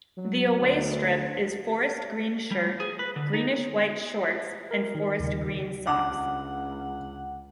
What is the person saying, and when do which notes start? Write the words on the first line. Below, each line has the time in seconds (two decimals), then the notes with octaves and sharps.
The away strip is forest green shirt, greenish-white shorts, and forest green socks.
0.17 F#3
0.60 D2
2.51 G3
2.80 G#4
2.99 B4
3.16 D3
3.33 D#4
4.71 A#4
4.95 D#3
5.19 D#2 C#3 G3
5.87 C#2 D4 F#5 D6